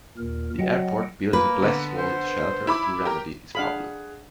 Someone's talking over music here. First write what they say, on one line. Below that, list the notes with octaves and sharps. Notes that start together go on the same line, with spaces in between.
The airport built a glass-walled shelter to remedy this problem.
D#2 A#2 A#4
F#3 D#5 F#5 G5
A#3 B4
D3 B3
C5
E4 B5 D6
G4 A#4
D4 G#4 F5 F#5 B5